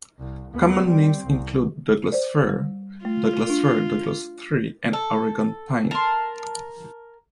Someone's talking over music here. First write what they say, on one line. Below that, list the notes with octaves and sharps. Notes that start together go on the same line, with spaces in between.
Common names include Douglas fir, Douglas-fir, Douglas tree, and Oregon pine.
C2
D#2 B3
G3 C4
C2
C5 D5
G3 E6
A3 F4
D4
A4
A#4 A5 C6